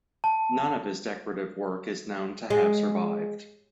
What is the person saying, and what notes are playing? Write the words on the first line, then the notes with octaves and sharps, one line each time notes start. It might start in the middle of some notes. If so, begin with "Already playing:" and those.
None of his decorative work is known to have survived.
A5
G#3